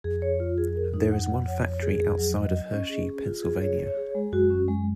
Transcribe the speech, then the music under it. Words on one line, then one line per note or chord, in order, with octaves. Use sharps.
There is one factory outside of Hershey, Pennsylvania.
F2 G#4
C#5
F4
G#4
A#4
D#4
F#5
F#5
C#5
C#5
G#4
G#4
F#3
D#5
D#5
C#4
G#4
G#4
F4
G#4
C#5
C#5
G#4
G#3
F#2 F#4
C#4
G#3